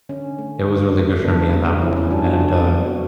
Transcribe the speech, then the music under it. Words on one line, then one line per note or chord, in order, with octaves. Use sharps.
It was really good for me in that moment and, uh,
D3 C#4
A3
D3
A3
C#3 B3 D4
G3
C#3 C#4 E4
C#4 E4
G3 D4 F#4
B3 D4
C#3 B3 D4
F#3 A3
F#4